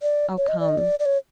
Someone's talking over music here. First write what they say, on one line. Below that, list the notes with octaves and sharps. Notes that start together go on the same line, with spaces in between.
"I'll come."
D5
C#5
D#5
D5
D#5
D5
D5
C#5